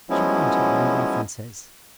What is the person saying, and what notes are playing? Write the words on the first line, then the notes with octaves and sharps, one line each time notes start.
She wanted no references.
F3 F#3 G#3 B3 C#4 E4